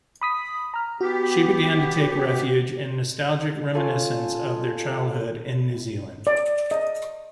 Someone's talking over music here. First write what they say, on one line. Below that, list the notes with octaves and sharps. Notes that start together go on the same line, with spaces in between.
She began to take refuge in nostalgic reminiscences of their childhood in New Zealand.
B5 D#6 B6
A#5 F6
B3 F#4 G4
C#4 F4 A4 G#5
D5
D#5